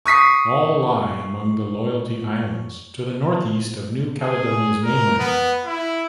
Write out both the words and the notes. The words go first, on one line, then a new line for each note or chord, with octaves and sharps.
All lie among the Loyalty Islands, to the northeast of New Caledonia's mainland.
C#6 D#6 B6 C7
G#4
A#4
B3
E4